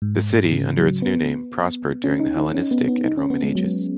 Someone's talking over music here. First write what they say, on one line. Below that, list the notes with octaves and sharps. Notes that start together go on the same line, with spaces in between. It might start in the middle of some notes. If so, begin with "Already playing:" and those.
The city, under its new name, prospered during the Hellenistic and Roman Ages.
G#2
C#3
F#3
B3
C#4
D#4
D#4
C#4
B3
B3
D#4
C#4
B3
G#3
F#3